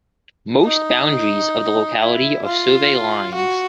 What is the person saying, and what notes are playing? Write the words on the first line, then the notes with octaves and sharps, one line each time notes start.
Most boundaries of the locality are survey lines.
D#4
E4
F4
F#4